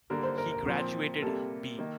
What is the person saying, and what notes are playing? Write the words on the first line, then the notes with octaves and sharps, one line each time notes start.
He graduated B.
D3 G3 A#3 A#4
C5
A#4
A#4
A#2 F3 C4
C3 G3 A#3 A4
D#3 A#3